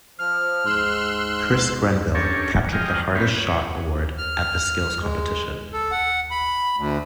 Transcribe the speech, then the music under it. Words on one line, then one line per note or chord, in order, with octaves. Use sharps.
Chris Grenville captured the hardest shot award at the skills competition.
F3 F6
G#2 C6 E6 F#6
C#4 D4 G4 A4 A#4 C#5
F3 G#3 D#5 G5 F6
A#3 C4 C#4 F#4 G4 B4
C#5
F6
G#3
A4
F#5
B5
D2